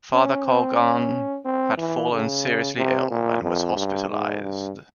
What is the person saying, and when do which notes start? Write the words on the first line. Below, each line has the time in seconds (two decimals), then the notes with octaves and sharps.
Father Colgan had fallen seriously ill and was hospitalized.
0.13 C#4
0.46 C4
0.78 C#4
1.45 C4
1.77 E3
2.11 C#3
2.77 C3
3.10 A#2
3.43 F2
3.76 G2
4.09 G#2
4.42 G2